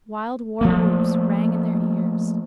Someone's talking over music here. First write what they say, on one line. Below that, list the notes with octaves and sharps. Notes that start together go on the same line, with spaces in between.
Wild war-whoops rang in their ears.
F3 A3 A#3